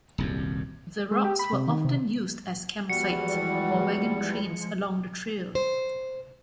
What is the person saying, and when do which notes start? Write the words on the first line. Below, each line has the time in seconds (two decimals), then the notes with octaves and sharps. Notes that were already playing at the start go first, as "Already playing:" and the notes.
The rocks were often used as campsite for wagon trains along the trail.
0.18 D#1 C2 F#2
1.11 G#3
1.24 G4
1.39 B5
1.53 C3
1.67 D#3
1.85 C3
2.90 E2 F3 G3 G#3 F#4 C#7
5.55 C5